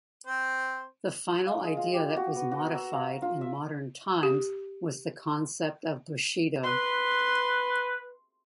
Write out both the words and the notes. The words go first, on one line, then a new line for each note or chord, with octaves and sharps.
The final idea that was modified in modern times was the concept of Bushido.
C4 C5
F5
G#3
F4
G4
F#4
B3
F#4
A#4
E6
F5
F4
E5
G4
B4 C6